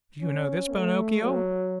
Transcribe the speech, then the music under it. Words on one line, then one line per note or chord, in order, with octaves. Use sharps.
"Do you know this Pinocchio?"
C#4
A3
F#3